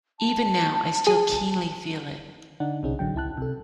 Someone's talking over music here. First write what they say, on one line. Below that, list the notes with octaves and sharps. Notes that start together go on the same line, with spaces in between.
Even now I still keenly feel it.
A5
G#4
D3 D4 D#4 F#5
B1 C3 C#4 D#4 G#4
A1 D3 F#3 G5
C#2 E4 A5 F#6
C3 A4